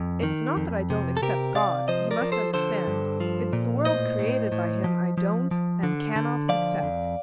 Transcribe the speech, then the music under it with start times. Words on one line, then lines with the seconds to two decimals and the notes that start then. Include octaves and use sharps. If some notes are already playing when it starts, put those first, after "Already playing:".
It's not that I don't accept God, you must understand, it's the world created by Him I don't and cannot accept.
Already playing: F2
0.23 D#3
0.57 F2
0.90 C3
1.17 A4
1.22 C3 G4 A#4
1.55 C3 D5 F5
1.88 F3 C5 D#5
2.11 A#4 D5
2.21 F3
2.32 A4 C5
2.54 D3 A4 C5
2.87 G2
3.20 F3
3.53 A#2
3.85 A2 C5 D#5
4.19 A2
4.52 A2
4.84 F3
5.18 F3
5.51 F3
5.83 D3
6.16 D3
6.49 F3 D5 F5
6.83 F2